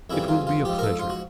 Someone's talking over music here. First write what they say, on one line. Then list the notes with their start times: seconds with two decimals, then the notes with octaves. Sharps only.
"It will be a pleasure."
0.10 F2 C#3 E3 G3 E4
0.28 F4
0.47 F4
0.65 G#2 F3 G4
0.79 A#4
0.83 A4
0.99 F4
1.10 F#4